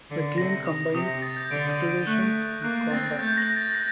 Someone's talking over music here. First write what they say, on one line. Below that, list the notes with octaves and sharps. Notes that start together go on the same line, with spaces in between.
The game combines exploration and combat.
D3
C3 A#6
D#6
C3 D#6
A#6
A6
G6
D3 D7
D#7
D7
A3 F#6
A#3 F#6
C4 A6
A3 G6
A#6
A6
A#6